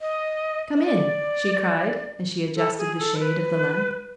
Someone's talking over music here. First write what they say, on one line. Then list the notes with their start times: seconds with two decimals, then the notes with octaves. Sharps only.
"Come in!" she cried, as she adjusted the shade of the lamp.
0.01 D#5
0.76 D#5
0.86 D5
2.56 A4
2.78 G#4
2.99 A4
3.16 C5
3.19 B4